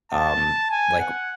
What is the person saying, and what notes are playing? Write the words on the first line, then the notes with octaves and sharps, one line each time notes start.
um, like,
A5
G#5
F#5